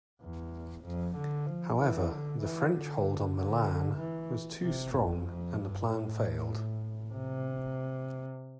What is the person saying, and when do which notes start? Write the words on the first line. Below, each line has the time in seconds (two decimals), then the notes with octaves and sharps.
However, the French hold on Milan was too strong and the plan failed.
0.22 E2
0.84 F2
1.16 D3
1.47 F3
1.78 E3
2.10 D3
2.42 E3
2.73 D3
3.36 D3
3.98 E3
4.62 C3
4.93 E2
5.25 F2
5.56 G2
5.88 A2
7.13 C3